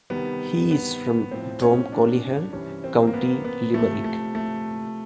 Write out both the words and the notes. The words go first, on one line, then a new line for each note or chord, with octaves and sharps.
He is from Dromcolliher, County Limerick.
C3 D#3 G3 B3
B3
A2 F3 C4
C#4
D4
C3 E3 G3 C#4
C4
A#3
B3
B3
C3 F3 A3
A3
A3